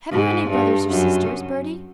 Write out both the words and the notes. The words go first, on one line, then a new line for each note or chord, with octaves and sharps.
"Have you any brothers or sisters, Bertie?"
G#2
G2
F#2